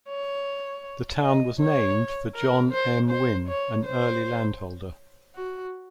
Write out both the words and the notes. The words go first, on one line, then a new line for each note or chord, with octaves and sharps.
The town was named for John M. Winn, an early landholder.
C#5
D#5
C#5
A#4
C5
C5
C#5
C5
F#4